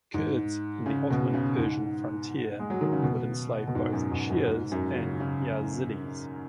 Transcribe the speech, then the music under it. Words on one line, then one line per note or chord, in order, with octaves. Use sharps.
Kurds in the Ottoman–Persian frontier would enslave both Shias and Yazidis.
G#2
C#3
B2
C#3
G#2
G#3
F#3
D#3
C#3
B2
B2
G#2
F#2
G#2
F#2
G#2
F#2
C#3
C#3